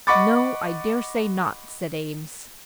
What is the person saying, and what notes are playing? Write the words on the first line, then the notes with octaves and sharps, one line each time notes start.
"No; I dare say not," said Eames.
D#5 F#5 B5 C#6 D6 A6